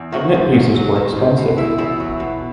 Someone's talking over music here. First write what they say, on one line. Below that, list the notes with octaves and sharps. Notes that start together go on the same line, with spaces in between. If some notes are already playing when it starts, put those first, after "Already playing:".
Cabinet pieces were expensive.
Already playing: E2
D#3 F#4
G#2
G#2
F#3
D#3
G#2
B2
E2 E4
E2 E4
F#3
B2